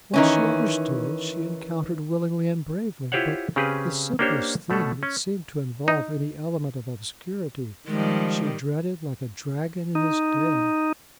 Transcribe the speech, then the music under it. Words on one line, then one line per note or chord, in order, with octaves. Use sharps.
What she understood, she encountered willingly and bravely; but, the simplest thing that seemed to involve any element of obscurity, she dreaded like a dragon in his den.
D#3 E3 C#4
E4 F4 G4 C5 C#5 F#5
C#3 C4 C#4 G4 G#4 B4
A#3 C#4 D4 G4 C5 C#5
B2 A3 C#4 A4
C#4
D#4
D#3 F3 G3 G#3
D#4